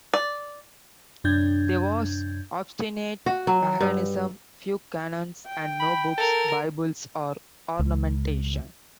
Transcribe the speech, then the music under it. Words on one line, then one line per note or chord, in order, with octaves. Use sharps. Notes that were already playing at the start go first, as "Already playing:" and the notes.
There was obstinate paganism, few canons, and no books, bibles, or ornamentation.
D5
F#2 C3 D4 G6 G#6
F#4
F#3
G2
G5
B5
A4 A#4
C#2